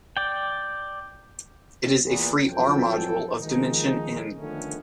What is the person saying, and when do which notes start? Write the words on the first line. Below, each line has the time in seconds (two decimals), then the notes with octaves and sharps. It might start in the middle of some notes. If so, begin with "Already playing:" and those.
It is a free "R"-module of dimension "n".
0.17 D5 G5
2.05 E2 A#2 B3
2.46 F2 E3 F#3 F4 A4 G5
3.39 D#3 F3 G#3 A#3 D#4
4.38 D3 D#3 F3 A3 B3 C#4